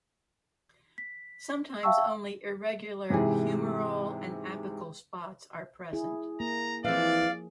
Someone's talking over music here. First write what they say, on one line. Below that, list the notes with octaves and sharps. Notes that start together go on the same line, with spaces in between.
Sometimes only irregular humeral and apical spots are present.
B6
E5 F5 G5 A5 C#6 E6
G#2 C3 E3 E4 G#4
E4 G#4
A#3 A#5
E3 F3 C4 G#4 D5 F5